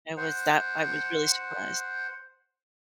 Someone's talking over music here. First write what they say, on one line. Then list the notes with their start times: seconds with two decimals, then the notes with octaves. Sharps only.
I was that I was really surprised.
0.17 C5 F#5